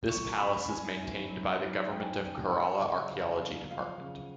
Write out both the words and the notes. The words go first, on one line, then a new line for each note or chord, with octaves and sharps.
This Palace is maintained by the Govt.of Kerala Archaeology Department.
F#3 C#6
F#2 B5
D#3 G#5
F#2
F#3
D#3
F#2 G5
G#5
F#2 G5
F3 F#5
C#3
C#3 F5
F#2 F5
F3 F5
C#3